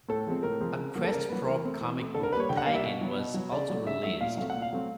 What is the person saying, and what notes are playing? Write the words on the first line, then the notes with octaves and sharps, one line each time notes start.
A "Questprobe" comic book tie-in was also released.
A2 A4
F3 G#3 C4
A2 A#4
F3 G#3 C4
C#3
F#3 A#3
A4
C#3 A#4
F#3 A#3 B4
E3 A#4
A3 C4
E3
A3 C4
D3 A4
A#4
G3 A#3 B4 C#5
D3 G5
F#5
G3 A#3 F5
E5
B2
F#3 B3
B2
F#3 B3
C#3 D5
F#3 A3
C#3 E5
F#3 A3 E5
A#2 F5
F#3 A3 C4 F5
F#5
A#2
F5
F#3 A3 C4